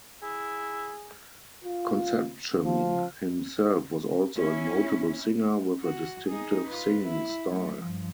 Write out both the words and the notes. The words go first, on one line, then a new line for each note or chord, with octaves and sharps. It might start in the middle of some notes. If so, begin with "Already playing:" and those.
Concepcion himself was also a notable singer, with a distinctive singing style.
E4 G#4
F4
F3
C#4 E4
F#4
D#4 G#4
F4 B4
E4
F#3 A3
G2 F3